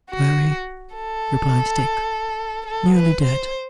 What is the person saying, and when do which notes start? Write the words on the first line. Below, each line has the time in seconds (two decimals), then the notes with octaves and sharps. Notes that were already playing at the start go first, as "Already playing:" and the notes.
'Very,' replied Dick. 'Nearly dead.
0.10 F#4
0.96 A4
2.66 A4
2.95 B4
3.23 C5